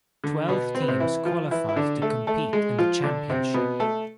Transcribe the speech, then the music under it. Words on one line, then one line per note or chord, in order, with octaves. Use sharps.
Twelve teams qualified to compete in the championship.
D3
B2 B3
C4
B3
C3 C4
E3 E4
F3 F4
E3 E4
E4
D3 D4
A3 A4
A3 A4
G#3 G#4
F3 F4
D3 D4
C3 C4
B2 B3
A3 A4